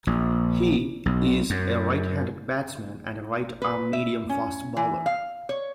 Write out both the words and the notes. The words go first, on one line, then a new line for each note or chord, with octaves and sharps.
He is a right-handed batsman and right-arm medium-fast bowler.
A#1
B1
F#2
B4
E5
C#4
E3
F5
C#5